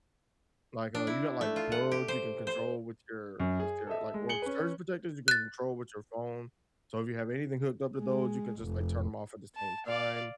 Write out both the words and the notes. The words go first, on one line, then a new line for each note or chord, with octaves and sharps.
like, uh, you got, like, plugs you can control with your with your, like or surge protectors you can control with your phone, so if you have anything hooked up to those, you can just, like, turn 'em off at the same time.
D4
E4
A3
F4
F#5
G4
C5
C5
F#2
G#4
A4 D#5 E5
G#3
G#4 C#7 F#7 G7
C#4 B4
F#6 A6
G#3
F1
A5
D5 F5